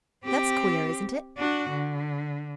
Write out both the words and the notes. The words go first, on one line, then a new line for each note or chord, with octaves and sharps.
That's queer, isn't it?
C4 G4
D4 F#4
D3